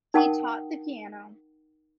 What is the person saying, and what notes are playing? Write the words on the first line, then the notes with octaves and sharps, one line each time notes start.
He taught the piano.
D#4 A#4 F#5 G5 A5 D#6